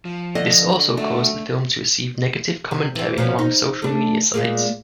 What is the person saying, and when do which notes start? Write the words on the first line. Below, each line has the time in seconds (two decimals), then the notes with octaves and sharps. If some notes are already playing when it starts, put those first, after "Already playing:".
This also caused the film to receive negative commentary along social media sites.
0.05 F3
0.35 D3 D#5
0.97 A3 D4 F#4
2.71 C3
2.95 E3 C4
3.18 A#2 F3 C#4
3.39 D#4
3.82 A3 D4
4.34 A#2 G#3 A#3